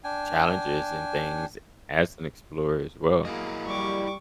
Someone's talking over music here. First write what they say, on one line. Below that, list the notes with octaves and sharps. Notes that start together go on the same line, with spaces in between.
challenges and things, as an explorer as well.
D4 G5 G#5
F#3 A#3 E4 G#4 A#4 D#5
G3 C#6 D6